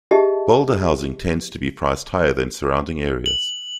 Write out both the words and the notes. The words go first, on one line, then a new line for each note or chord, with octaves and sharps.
Boulder housing tends to be priced higher than surrounding areas.
G4 G#4 D#5 E5 A5
F#7